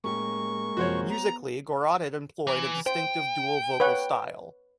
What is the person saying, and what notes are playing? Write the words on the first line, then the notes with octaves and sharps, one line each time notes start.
Musically, Gorerotted employed a distinctive dual vocal style.
A2 G#3 A#3 C#4 G4 C#6
F#2 C3 F3 F#4 C5 C#5
B3 A#5
E3
C5 G5
B4 C#5 F#5